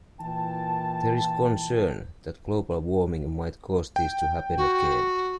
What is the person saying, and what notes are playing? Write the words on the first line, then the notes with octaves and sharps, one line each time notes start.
There is concern that global warming might cause this to happen again.
A#2 E3 G5 A5
G5
F#4